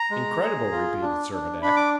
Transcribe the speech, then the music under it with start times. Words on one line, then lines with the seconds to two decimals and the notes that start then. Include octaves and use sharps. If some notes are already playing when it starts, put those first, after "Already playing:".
"Incredible?" repeated Servadac.
Already playing: A#5
0.11 G#3
0.42 G#4
0.71 F4
1.02 D4
1.32 D4
1.62 D4 B5
1.76 D6